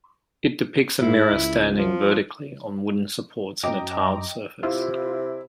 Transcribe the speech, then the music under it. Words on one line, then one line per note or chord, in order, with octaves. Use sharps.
It depicts a mirror standing vertically on wooden supports on a tiled surface.
G#2 E4
C#2
F3
F#2 D#5 G5 A#5 D6
C3 E4 F4